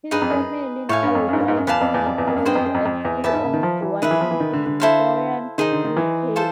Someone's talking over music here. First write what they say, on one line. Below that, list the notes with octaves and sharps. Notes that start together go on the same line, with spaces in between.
His family now resides in Missouri and still owns the "Washington Missourian" newspaper.
G2 D#4 G#4 B4
F2
F#2
A2 C#5 F5 G#5
G2
F2
F#2
G#2
G2
G#2
F#2
E2 B4 D5 F5 A5
F2
E2
F2
E2
F2
F#2
G2 G#4 C5 D#5 G5
F2
F#2
F2
F2
E2
E2 B4 E5 A5
G#2
C#3
D#3
F3
E3
D#3 G#4 B4 E5
E3
F3
E3
D#3
D3
D3
E4 A4 C5 F5
D#3 D#4 G#4 C5
D3
D#3
E3
F4 A4 C5